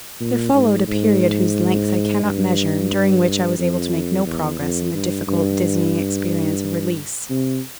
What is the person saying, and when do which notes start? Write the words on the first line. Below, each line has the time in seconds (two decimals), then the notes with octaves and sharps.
There followed a period whose length I cannot measure and during which I was able to make no progress in the difficult, dizzying experience of release.
0.20 A#2
0.53 G#2
0.87 G#2
2.23 G2
3.58 F2
4.26 E2
4.60 F2
4.93 G2
5.27 G2
7.30 C3